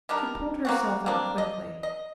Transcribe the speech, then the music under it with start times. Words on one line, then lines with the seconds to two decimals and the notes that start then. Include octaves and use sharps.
She pulled herself up quickly.
0.09 D#3 G3 D4 A#4
0.65 A#3 C4 F#4
1.06 A#3 C4 D4
1.38 D#5
1.83 D#5